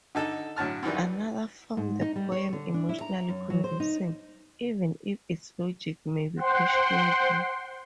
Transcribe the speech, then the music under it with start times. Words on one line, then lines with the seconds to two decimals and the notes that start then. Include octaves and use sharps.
Another found the poem "emotionally convincing" even if its logic may be questionable.
0.15 D3 D#4 A4
0.56 A2 D3 F#3 A5 F6
0.82 F#2 D#3 E3 G3
1.77 G#2
2.01 D#4
2.16 G3
2.32 C#5
2.53 D3
2.74 D4
2.89 E4
3.01 A#5
3.29 F#2
3.50 F#3
3.64 C5
3.80 D#4
6.36 C5 F#5 G5 C6